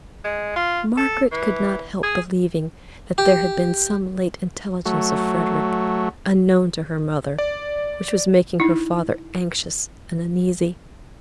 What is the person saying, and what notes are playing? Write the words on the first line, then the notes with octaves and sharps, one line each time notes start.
Margaret could not help believing that there had been some late intelligence of Frederick, unknown to her mother, which was making her father anxious and uneasy.
G#3
F4
A4
E3
G#4
G4
F#3 A3
D5
D#4 E4